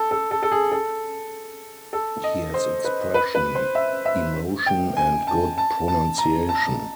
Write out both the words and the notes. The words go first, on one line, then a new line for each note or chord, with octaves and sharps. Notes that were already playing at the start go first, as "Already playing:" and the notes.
He has expression, emotion and good pronunciation.
Already playing: A4
A4
A4
A4
G#4
A4
A4
D#5
C5
B4
B4
B4
C5
E5
E5
G5
G#5
A5
A5
A5
A#5
A5